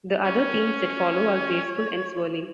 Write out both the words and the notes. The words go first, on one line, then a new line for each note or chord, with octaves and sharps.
The other themes that follow are graceful and swirling.
C#4 C#5